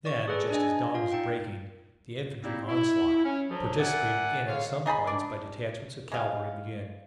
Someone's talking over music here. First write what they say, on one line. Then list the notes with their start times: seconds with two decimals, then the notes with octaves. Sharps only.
Then, just as dawn was breaking, the infantry onslaught, participated in at some points by detachments of cavalry, began.
0.05 D5 C#6
0.28 G#4 A4 B4 D5
0.50 D4 D#5 G#5
0.94 F4 F5
1.12 D#4 G5
2.43 G3 A#3 C4 D#4 E4
2.68 E4
3.24 C#4
3.49 D2 F3 F#3
3.78 A#4 D5 E5 F#5 G#5
4.47 G#2 D3 C#5 F5
4.86 D#4 G#4 A5 B5
5.07 D4 D5
6.12 G#3 F5